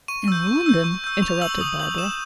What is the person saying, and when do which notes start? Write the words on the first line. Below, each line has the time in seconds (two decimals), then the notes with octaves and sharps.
"In London!" interrupted Barbara.
0.08 C#6 D#7
0.28 E6 G6
0.47 C#6
0.66 E6 G6
0.84 C#6
1.04 E6 G6
1.22 C#6 F7
1.41 E6 G6 F#7
1.60 D#6 F#7
1.79 G6 F#7
1.98 D#6 E7